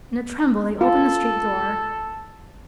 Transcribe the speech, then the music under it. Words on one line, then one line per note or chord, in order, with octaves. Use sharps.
In a tremble they opened the street door.
F4 A4